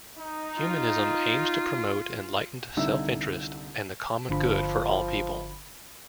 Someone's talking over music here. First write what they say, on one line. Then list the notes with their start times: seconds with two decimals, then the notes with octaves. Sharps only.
Humanism aims to promote enlightened self-interest and the common good for all people.
0.18 D#4
0.58 F4
2.77 C2 D3 D#4 E4 E6
4.29 G1 D3 F3 B5